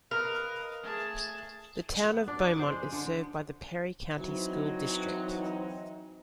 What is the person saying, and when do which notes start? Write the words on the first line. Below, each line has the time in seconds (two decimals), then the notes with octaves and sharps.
The Town of Beaumont is served by the Perry County School District.
0.11 A#4 B4 D#5 F5
0.83 A3 G#4 A5
2.05 B3
2.28 D4
2.44 D5
2.59 C5
2.72 G#3
2.92 D3
4.18 E3 F#3 C4 D#4